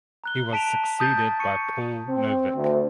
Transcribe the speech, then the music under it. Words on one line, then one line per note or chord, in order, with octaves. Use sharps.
He was succeeded by Paul Novick.
A#5 F#6 G7
A5 B6 D7 E7 F7
A5 D#6 G6 A6
C#6 C#7 D#7
C4
D2